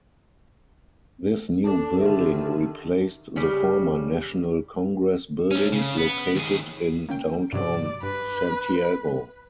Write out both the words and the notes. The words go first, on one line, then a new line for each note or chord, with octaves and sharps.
This new building replaced the Former National Congress Building, located in downtown Santiago.
D4 A4 A5
D3 D#3 G4 E5
C#3 G3
A3 C#4
C#3
B3
D#2 G#4
A#3 C#4 G5
G2 C3 F#3 D5
G2 B4